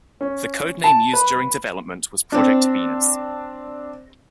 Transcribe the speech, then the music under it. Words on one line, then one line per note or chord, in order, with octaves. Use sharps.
The codename used during development was Project Venus.
C#4
A5
B4
C4 D4